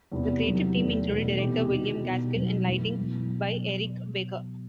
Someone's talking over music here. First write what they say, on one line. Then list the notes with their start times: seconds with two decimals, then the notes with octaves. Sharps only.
The creative team included: director William Gaskill and lighting by Eric Baker.
0.12 E2 C3 E3 B3
0.43 C3 D#3 F#3
0.75 E2 D#3 A3
1.07 E2 B2 A3 D#4
1.39 C3 E3 B3 E4 G4
1.70 D#3 G3 D#4 F#4
2.02 B2 G3 D#4 G4
2.35 B2 F#3 B3 F#4
2.66 F#2 E3 A3
2.99 B2 F#3